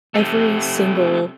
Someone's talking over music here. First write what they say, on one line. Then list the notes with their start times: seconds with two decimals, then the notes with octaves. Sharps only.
every single
0.14 C3 A3